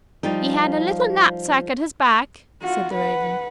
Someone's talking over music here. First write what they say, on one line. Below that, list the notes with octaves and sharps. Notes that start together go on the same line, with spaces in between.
"He had a little knapsack at his back," said the Raven.
F3 G3 D#4
F4 F#4
B4 F#5